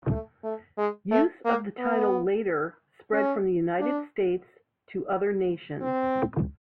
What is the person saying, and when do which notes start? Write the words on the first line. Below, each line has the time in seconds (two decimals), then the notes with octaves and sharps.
Use of the title later spread from the United States to other nations.
0.11 A3
0.43 A3
0.77 G#3
1.11 A3
1.45 A#3
1.78 B3
3.13 C#4
3.80 D4
5.81 C4